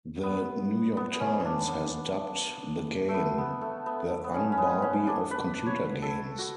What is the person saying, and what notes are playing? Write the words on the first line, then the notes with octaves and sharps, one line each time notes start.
The "New York Times" has dubbed the game the "Un-Barbie of computer games".
B3
B3
C#4
D4
B3
A3
B3
B3
A3
B3
B3
C#4
C#4
B3
C#4
D4
B4
C#5
A4
F#4